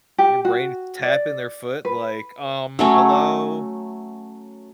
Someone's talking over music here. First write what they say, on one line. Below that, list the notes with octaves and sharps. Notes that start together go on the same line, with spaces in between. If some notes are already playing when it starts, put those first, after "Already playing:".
Your brain is tapping their foot like, "Um, hello?"
G4
F#4
D5
B4
F#3 A3 C#4